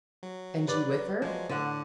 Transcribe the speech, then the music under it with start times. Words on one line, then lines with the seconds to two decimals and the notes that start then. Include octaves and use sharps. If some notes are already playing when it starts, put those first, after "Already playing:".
"And you with her?"
0.23 F#3
0.68 B4 D5
1.22 F3 F#3 G#3
1.49 A2 D3 F#5